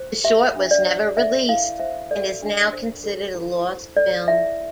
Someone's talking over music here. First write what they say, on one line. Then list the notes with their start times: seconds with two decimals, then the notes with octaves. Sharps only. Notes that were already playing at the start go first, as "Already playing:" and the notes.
The short was never released and is now considered a lost film.
Already playing: C5
0.24 G4 E5
0.56 D4
0.71 D5
0.86 C5
1.17 A4 E5
1.49 E4 F5
1.80 C5 E5
2.11 A4 D5
2.42 D4
2.73 C5
3.04 A4
3.35 E4
3.65 C5
3.97 A4 D5
4.28 E4 E5